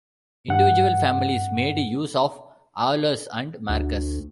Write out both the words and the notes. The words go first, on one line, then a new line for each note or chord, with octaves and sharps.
Individual families made use of "Aulus" and "Marcus".
G2 F#5
D2